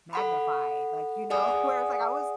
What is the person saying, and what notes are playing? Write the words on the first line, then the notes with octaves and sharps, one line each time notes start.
magnified, like, you know, where it's like I was
A4 F#5 B5
G#4 D5 F#5 G#5 D#6